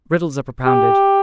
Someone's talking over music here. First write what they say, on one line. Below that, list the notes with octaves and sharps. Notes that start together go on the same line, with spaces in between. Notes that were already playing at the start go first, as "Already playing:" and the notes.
Riddles are propounded.
G4